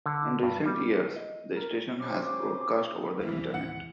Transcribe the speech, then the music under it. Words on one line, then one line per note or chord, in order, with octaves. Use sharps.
In recent years, the station has broadcast over the Internet.
D3
G2
G3
D#5
A#4
C#4 G4 C5 D6
D#2 C3 E3 G3 E4 F5
D#2 A2 F#5